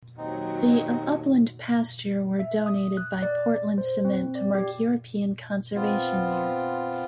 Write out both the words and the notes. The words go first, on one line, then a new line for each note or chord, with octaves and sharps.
The of upland pasture were donated by Portland Cement to mark European Conservation Year.
D#2 F#3 C4 D#4 D#5
E5
D#6
F#6
D5
C5
C4
D5
G4
B3 C4 F4